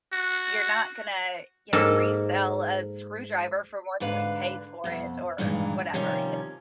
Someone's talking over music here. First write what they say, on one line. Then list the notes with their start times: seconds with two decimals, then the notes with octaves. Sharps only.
you're not gonna, you know, resell a screwdriver for more than what you paid for it, or whatever, y
0.13 F#4
1.73 G#2 A#3 A4
4.00 G#2 D3 B4 D5 F5
4.84 F2 B2
5.38 G2 A#2 D#3 E3 G#3 D#4
5.94 C3 D#3 F3 G3 C#4